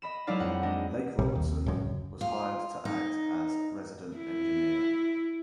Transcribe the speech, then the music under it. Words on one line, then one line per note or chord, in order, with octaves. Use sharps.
Lake Robertson was hired to act as Resident Engineer.
D#5 B5 E7
F#3 G#3 D#4 E4 D5 F5
F2 F#5
G#3 D4 D#5
A#1 C3 G3
D#2
D1 C#2 F#2
F4
D#4
E4